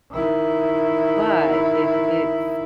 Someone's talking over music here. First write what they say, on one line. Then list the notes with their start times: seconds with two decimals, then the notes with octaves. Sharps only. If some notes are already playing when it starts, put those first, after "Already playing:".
But if it's,
0.12 D#3 E4